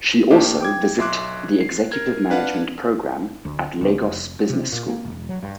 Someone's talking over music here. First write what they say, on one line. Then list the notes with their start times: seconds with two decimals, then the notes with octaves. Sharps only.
She also visit the Executive Management Programme at Lagos Business School.
0.31 A2 A#3 D4 G4
0.60 G5 D6 G#6
0.98 B1 E5 C6 D6 F#6
1.61 C7
1.92 A#4 G#6
2.30 D4 B4 F5 F#5
3.45 D2
3.81 C#2
4.02 F1
4.50 C3
4.72 A#2
4.88 A#3
5.05 E1
5.29 F#3
5.43 G2